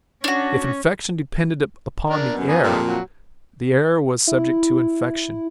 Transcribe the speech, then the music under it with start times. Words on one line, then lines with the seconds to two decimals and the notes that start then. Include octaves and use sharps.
If infection depended upon the air, the air was subject to infection.
0.24 C#4 D4 F#4
2.10 D4 A#4
2.33 F#2 B2
2.48 F#3 B3 G#5
2.64 F2 A#2 G3 G#3 A4
2.86 F#3
4.27 E4